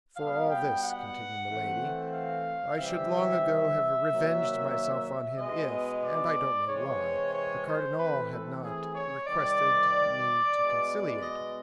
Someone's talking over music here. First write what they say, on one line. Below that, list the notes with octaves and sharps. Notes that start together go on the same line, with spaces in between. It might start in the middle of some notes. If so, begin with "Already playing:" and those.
"For all this," continued Milady, "I should long ago have revenged myself on him if, and I don't know why, the cardinal had not requested me to conciliate him."
B2 G3 B3 F5
G5
F#5
E3 A3 C4
F5
C3 E3 G3 C4 E5
C3 D#3 F#3 A#3
B2 G#3 B3 D#5
D5
C3 E3 G#3 C4 C#5
C#5
C5
E3 A3 C4 B4
A4
G#4
C#5
C3 D#3 G3 D5
B2 G#3 B3
D#5